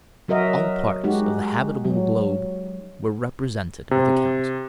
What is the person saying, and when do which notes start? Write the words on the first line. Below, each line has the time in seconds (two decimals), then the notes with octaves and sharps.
All parts of the habitable globe were represented at the Council.
0.28 F#3 F#4 A#4 D#5 E5
1.04 G#3 D#4 F#4 G4
1.85 F#3
3.91 C3